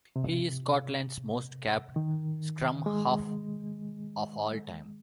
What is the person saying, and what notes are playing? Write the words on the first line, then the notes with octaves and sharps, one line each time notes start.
He is Scotland's most capped scrum-half of all time.
C3
D#3
G#3